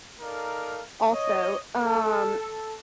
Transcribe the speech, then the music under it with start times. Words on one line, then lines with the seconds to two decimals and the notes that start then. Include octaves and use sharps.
Also, um,
0.20 D#4 A4 A#4 D5 F5
1.12 C#5 D#5
1.80 A4